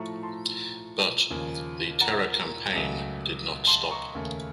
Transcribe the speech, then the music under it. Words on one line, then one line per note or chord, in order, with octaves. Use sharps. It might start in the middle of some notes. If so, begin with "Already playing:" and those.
But, the terror campaign did not stop.
Already playing: A2 F3 A3 A#5 C#6
A5 C6
D#2 C#3 F3
F#5 A#5
C#2 C#3 F#3 A3
A5 C6
A#5 C#6
D#2 C#3 A3